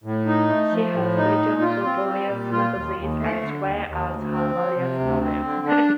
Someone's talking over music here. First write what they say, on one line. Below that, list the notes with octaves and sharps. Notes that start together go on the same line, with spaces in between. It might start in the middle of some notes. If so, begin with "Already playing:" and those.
She has written for various magazines as well as her various novels.
A2
D#4
A3
F3
A2
D#4
A#2
F4
C4
G3
A#2
F4
D#2
D#2
A3
D3
D#2
D#2
D2
C4
F3
C3
D2
C4
D3
D4